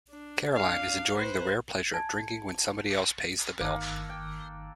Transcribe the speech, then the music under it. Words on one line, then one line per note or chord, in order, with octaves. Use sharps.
Caroline is enjoying the rare pleasure of drinking when somebody else pays the bill.
D4
D4 F5
B4 C5
G#5 A5 G#6
G1 D#3 A#3 A4 F#6
G5